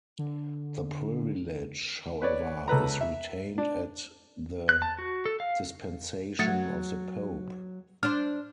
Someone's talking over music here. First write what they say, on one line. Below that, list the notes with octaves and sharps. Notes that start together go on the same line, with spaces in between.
The privilege, however is retained at the dispensation of the Pope.
D3
B4 C#5 D5
C#2 A4 B4 A#5
E5
D4
F#6
A5
F#4
A4
F5
F#3 A3 A6 C#7
D4 C5 F6